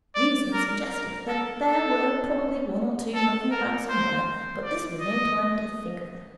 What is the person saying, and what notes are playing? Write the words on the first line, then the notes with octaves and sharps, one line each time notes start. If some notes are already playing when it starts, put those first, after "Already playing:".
Reason suggested that there were probably one or two knocking about somewhere, but this was no time to think of them.
D5
A#4
A#4
A4
A4
A4
A#4
C5
D5
D#5